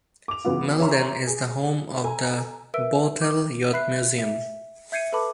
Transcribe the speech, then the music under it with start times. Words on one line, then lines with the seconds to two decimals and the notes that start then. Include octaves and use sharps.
Malden is the home of the Bootheel Youth Museum.
0.28 D6 F7
0.45 C#3 E3 F#3 B3 F4
0.80 C#5 E5 G#5 A#5 C6 C#6
1.27 G#4
2.03 A4 G#5 A#5
2.74 A#4 B4 E5 E6 D7
3.21 D6
3.73 E5 B5 F#6 C7
4.18 E5
4.92 E5 G6 G#6 C7 C#7 D#7
5.12 A4 B4 A5 B5 D6